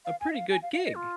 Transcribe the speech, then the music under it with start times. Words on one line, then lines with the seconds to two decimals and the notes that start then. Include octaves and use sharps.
a pretty good gig.
0.05 F5
0.21 G#5
0.30 D#5
0.35 F5
0.51 G#5
0.62 F5
0.73 F5
0.85 D#5
0.96 F4